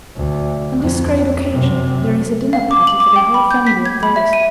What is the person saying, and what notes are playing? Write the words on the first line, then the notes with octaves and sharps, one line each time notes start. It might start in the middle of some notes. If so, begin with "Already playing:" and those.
On this great occasion there is a dinner-party for the whole family of dolls.
D2
F2
F#2 C3
F5
D6
F#7
D6
G5
B5
G6
B6
G#6
B5
E5
D#7